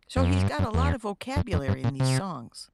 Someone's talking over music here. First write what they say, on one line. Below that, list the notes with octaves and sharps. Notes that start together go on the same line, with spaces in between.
So he's got a lot of vocabulary in these songs?
F2
F#2
G2
F#2
E2
F2
F2
G2
A#2
C3